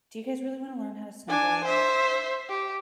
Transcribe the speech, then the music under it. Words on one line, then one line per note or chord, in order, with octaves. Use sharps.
do you guys really wanna learn how to snowboard?"
D4 G#5
C5 E5
G4